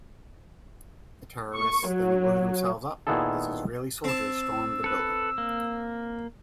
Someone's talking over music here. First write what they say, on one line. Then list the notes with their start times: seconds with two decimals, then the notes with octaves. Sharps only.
The terrorists then blew themselves up as Israeli soldiers stormed the building.
1.55 C#6
1.88 F#3
3.07 A#2 D#3 B3 E4 G#4 A4
4.04 C4 A5 E6
4.84 A4 B4
5.38 A#3